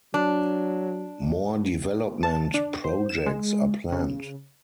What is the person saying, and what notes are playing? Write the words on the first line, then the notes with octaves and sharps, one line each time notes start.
More development projects are planned.
F#3 D4
A5
D4
C5
E7
G#3
C#3